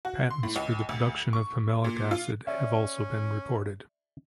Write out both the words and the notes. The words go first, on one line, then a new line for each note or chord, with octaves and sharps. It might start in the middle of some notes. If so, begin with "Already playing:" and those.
Patents for the production of pimelic acid have also been reported.
F#4
C6
A2
C#2
D2
C#6
A#2
F4
C#4 D5 E5